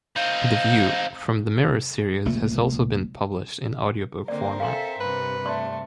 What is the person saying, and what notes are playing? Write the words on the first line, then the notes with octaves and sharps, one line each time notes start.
The View from the Mirror series has also been published in audiobook format.
C4 D#4 F5
F1 C#2 A#2 A3
D3 A#3 C4 A#4 D5
A4 E5 F5 G#5 C6
G2 C3 B4
A3 D5 C6